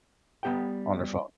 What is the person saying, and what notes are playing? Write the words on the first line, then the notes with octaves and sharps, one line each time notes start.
"on their phone
G3 B3 G4 F#5 G5